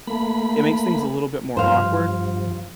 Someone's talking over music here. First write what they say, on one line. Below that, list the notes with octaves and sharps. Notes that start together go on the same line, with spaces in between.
it makes things a little bit more awkward,
A3 A#3 B5
G2 F3 C5 F5